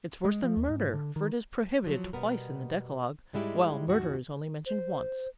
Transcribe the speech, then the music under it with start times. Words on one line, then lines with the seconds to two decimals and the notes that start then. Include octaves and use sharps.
"It's worse than murder, for it is prohibited twice in the decalogue, while murder is only mentioned once."
0.25 G#3
0.43 F3
0.57 D#2
0.69 G#2
0.94 D3
1.16 D#3
1.84 F3 F#3
2.13 B2 G3 B3 A#4
3.33 G#2 G3 G#3 E4 F#4 G4
3.87 D#2 G#2 F#4
4.66 C5